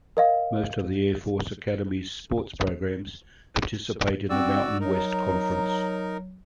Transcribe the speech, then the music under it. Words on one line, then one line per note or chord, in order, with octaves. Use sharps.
Most of the Air Force Academy's sports programs participate in the Mountain West Conference.
A#4 D#5 F5
C4 F#4 D5 E6
F#3 D#4 A#4